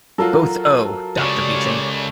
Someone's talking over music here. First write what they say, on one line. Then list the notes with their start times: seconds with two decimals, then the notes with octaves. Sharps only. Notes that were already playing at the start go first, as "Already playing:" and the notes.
Both Oh, Doctor Beeching!
0.18 F#3 F4 F#4 A4 A#4 F5
1.18 C#2 C#3 G4 C#5 D5